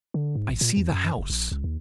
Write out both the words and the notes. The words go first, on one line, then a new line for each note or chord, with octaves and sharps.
I see the house.
D3
G#2
A1
A#2
E2
F#2
F#1
A#1
C#2
D#2